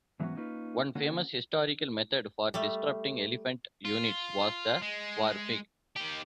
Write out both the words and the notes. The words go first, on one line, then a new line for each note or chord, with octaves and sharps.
One famous historical method for disrupting elephant units was the war pig.
G#2 E3 F#3 B3 C#4 F#4
A#3 C#4 D#4 F4 B4
D3 A#3 C#4 F#4
G3 A3
F4
G#3
D#3 G4